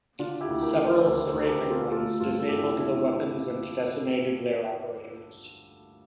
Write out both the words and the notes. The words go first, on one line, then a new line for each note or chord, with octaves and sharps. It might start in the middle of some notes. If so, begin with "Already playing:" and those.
Several strafing runs disabled the weapons and decimated their operators.
D3 D4 F4
E4 G4
D2
G4 A#4
D3
A4 C5
C5
D2 G4 A#4
A4 C5
D2
G4 A#4
D3
F4 A4
A3 F4 A4
G2 F4 A4
A4
G2 E4 G4
D3 E4